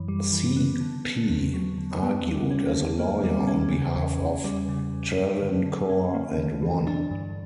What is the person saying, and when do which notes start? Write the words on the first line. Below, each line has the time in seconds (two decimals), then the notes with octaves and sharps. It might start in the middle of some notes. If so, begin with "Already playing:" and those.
C. P. argued as a lawyer on behalf of Travancore and won.
Already playing: F#2 E3
0.08 G3
0.32 E3
0.57 B3
0.81 D3
1.05 B3
1.29 E2
1.54 F#3
1.78 D3
2.02 B3
2.26 G3
2.50 C#4
2.74 D3
2.99 A#3
3.24 G3
3.47 C#4
3.71 C#3
3.96 E2
4.20 E2
4.44 G3
4.69 C#3
4.93 E2
5.17 A#3
5.41 D3
5.66 D3
5.90 C#4
6.14 A#3
6.38 D3
6.62 E3
6.87 D4
7.11 G2